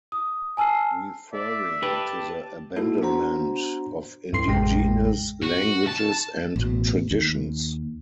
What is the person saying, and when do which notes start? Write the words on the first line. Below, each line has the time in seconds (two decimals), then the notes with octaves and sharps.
Referring to the abandonment of indigenous languages, and traditions.
0.12 D#6
0.57 G#5 A5 E6 F6 C7
1.33 D5 E5
1.83 G4 B4 A5
2.76 A#3 D#4 E4 F#4 A4
3.01 B3 D4 F#4 C5 A#5
4.33 C#2 G2 E4 A4 C6 C7
4.46 A1 F2 C3 G#3 G5 A#6
5.43 F#4
5.87 A5
6.56 A1 B2
7.11 D#2